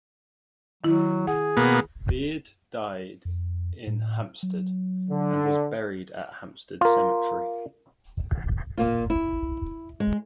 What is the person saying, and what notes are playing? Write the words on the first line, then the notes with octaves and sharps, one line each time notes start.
Beard died in Hampstead and was buried at Hampstead Cemetery.
D#3 F#3 E4
G#4 F#5
B2 A#3 B3
F2
A2
F#3
D3
F4 A#4
A#2 A#3 F4
E4
G#3